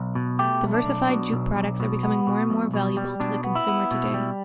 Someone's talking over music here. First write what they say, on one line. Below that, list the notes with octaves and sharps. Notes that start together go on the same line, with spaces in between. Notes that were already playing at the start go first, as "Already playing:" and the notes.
Diversified jute products are becoming more and more valuable to the consumer today.
Already playing: B1
B2
A3 G4
B1
D4
B1
B2
B1
B1
B2
B3
B2
B1
B2
G3
B2 D4
B3
E4
B3
B2
G3